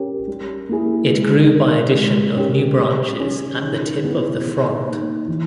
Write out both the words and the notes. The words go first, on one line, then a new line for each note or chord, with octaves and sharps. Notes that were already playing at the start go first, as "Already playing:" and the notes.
It grew by addition of new branches at the tip of the frond.
Already playing: G3 C#4 G4 A#4
G3
A#3 E4 G#4
G#3
D#4 A#4
G#3
C#4 G4 A#4
G3
C#4 G#4
D#3
G3 B3 E4 G#4
D#3
A#3 D#4
E3